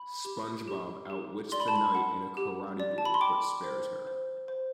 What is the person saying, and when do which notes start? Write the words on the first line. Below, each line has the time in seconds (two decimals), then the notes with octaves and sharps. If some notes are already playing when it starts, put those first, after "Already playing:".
SpongeBob outwits the knight in a karate duel but spares her.
Already playing: B5
0.25 G4
0.68 G4
1.10 G4
1.52 D5 C6
1.60 B5
1.68 A5
1.76 B5
1.95 F#5
2.37 G4
2.80 D5
2.98 A5
3.05 B5
3.14 C6
3.21 G5 D6
3.64 C5
4.07 C5
4.48 C5